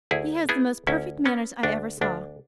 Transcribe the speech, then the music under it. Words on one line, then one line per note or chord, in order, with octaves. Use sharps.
He has the most perfect manners I ever saw.
D2 E4 G#4
B3 E4 G#4
D2 C#4 E4
B3 C#4
D2 D4
D2 D4